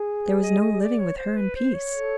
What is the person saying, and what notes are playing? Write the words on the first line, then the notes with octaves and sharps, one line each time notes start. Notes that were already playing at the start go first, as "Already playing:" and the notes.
There was no living with her in peace.
Already playing: G#4
B4
D#5
D#5
D5
C#5
C5
B4
C5
C#5
A4